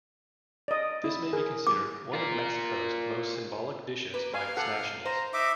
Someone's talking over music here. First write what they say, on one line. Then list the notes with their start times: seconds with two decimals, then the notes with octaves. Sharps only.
This may be considered one of Mexico's most symbolic dishes by its nationals.
0.68 D5 D#5
1.04 E4
1.33 G#4 A#4
1.67 D6
2.13 F4 A#4
4.14 A#3 B4
4.34 F5 G#5
4.57 C3 A4 F#5
5.05 C5 A#5
5.34 D#4 E5 D6